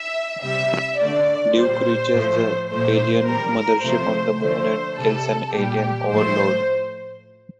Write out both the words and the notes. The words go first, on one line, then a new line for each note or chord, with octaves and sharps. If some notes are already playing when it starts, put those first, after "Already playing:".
Duke reaches the alien mothership on the Moon and kills an alien Overlord.
Already playing: E5
C3 G3 E5
D3 A3 D5
A#2 G3 C5
A2 F3 A3
A#2 F3 A3 C5
A2 G3 A#4
A#4
C3 F3 A3 C5
D3 F3 A3 C5
C3 G3 A4
A#2 G3 G4
A2 F3 A3 C5